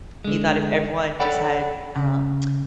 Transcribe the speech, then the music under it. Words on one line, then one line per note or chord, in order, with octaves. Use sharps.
He thought if everyone just had, um,
D3 G#3
A4 C#5 D5 F#5 G5 B5
C#3